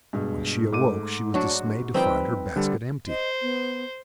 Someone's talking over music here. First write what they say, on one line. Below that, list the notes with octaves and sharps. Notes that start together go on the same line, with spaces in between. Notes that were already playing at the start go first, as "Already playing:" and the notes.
When she awoke she was dismayed to find her basket empty.
G2 B2 G#3
G#2 A3 D6 D#7
F#3 D4 F#4
F3 G3 C4 D#4 B4 G5
D3 G3 A4
C5 D#5
B3